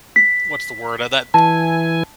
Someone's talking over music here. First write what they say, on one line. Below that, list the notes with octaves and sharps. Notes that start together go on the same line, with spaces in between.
What's the word uh, that
B6
E3 G#5 A5